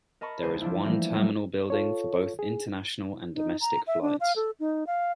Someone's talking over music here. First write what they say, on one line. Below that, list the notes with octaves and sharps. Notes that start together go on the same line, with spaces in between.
There is one terminal building for both international and domestic flights.
A#4 D#5 A5 B5 C#6
C#2 G#4 C5
F3 D4 E4
E3 F3 G3 A3 A#3
F#3 G3 A3 A#3 C#4 E4
F4 A4 C#5
G#4
D#4
A#5
E5
D4
F5
A4
D#4
F5